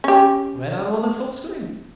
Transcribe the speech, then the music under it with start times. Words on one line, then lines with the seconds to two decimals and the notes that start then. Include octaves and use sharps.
"Where are all the folks going?"
0.04 C#4 G4